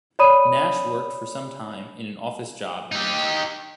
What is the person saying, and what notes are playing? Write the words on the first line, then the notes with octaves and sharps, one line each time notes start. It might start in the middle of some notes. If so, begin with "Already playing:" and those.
Nash worked for some time in an office job in the interim.
C#5 D5 B5 D#6 D#7
D#4 G4